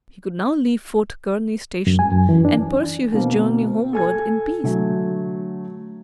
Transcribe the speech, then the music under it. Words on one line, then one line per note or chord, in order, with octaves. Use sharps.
He could now leave Fort Kearney station, and pursue his journey homeward in peace.
F#2
G#5
F#2
E3
D4
B2 D3 A#3 C4
A4 G#5 G#6
D3 F#3 A3